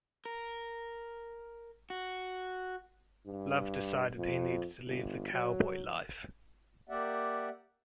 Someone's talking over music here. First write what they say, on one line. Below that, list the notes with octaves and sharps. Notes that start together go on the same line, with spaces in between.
Love decided he needed to leave the cowboy life.
A#4
F#4
G2
F2
G1
F#3
A#3 G4 D5 E5 F#5